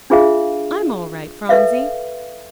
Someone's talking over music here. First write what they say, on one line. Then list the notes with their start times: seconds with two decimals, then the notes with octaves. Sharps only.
I'm all right, Phronsie.
0.10 D4 F4 G#4 E5 F5
1.49 A4 B4 E5 F5